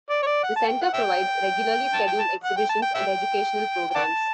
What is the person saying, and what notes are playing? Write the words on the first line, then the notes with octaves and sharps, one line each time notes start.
The Center provides regularly scheduled exhibitions and educational programs.
D5
C#5
D5
F#5
A5
G5
F#5
E5 G5
A5
G5
A5
F#5
G5
A5
G5
E5 G5
G5
D5 F#5 A5